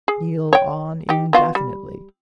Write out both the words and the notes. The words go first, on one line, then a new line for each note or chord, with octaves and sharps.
Kneel on indefinitely.
G#4
C#5 G5
D#4 G4
B3 F4 F#4
G3